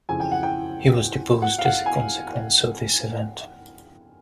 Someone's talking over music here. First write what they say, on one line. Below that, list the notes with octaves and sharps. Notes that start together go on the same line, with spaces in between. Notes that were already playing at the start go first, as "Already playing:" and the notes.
He was deposed as a consequence of this event.
F2 C#3 E3 G#5
G5
F#5
G5
F#5
F5
F#5
G#5